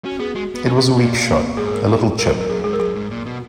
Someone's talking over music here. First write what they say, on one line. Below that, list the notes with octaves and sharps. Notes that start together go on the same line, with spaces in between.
It was a weak shot, a little chip.
C#4 F#4
B3 G#4
G#3 F#4
B3
C#4
B3
A#2 F#4
A#3
B3
G#2 G#4
G#4
A#4
G#4
G#2 A#4
F#2
A#4
F#2 G#4
G#2 G#4
A#4
F#2 G#4
G#2
A#2
B2